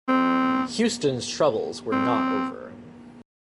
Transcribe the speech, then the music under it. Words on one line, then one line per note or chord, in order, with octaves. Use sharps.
"Houston"'s troubles were not over.
C4
C4